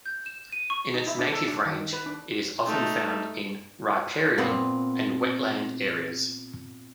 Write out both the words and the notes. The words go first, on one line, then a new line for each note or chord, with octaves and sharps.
In its native range, it is often found in riparian and wetland areas.
G6
E7
D#7
C#6
D#4
E4
D4
A4
D4
D#3
B4
D4
A3 D#4
A#2 B3 C4